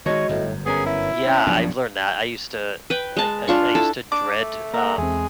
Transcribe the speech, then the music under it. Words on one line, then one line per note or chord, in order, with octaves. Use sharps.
Yeah, I've learned that. I used to I I I used to dread, um
D#3 F#3 G#3 F#4 C#5 D#5
G1 F#2 A2
B3 C#4 G#4 A#4
E4
C#4
B1 G2 C#3 F3 D4 F4
B4 G5
G#3 A5
D4 F4 C#6
E4 A4
D4 D6
A3
A#3 A#4 F#5
E2 G#3 C4